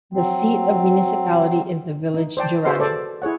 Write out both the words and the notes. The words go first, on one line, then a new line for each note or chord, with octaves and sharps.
The seat of the municipality is the village Gerani.
F#3 C4
D#4
C5 D5 G5 A5
F#4 G#4 B4 C5 E5 C6
A4 C5 D5
E4 G#4 C#5 F#5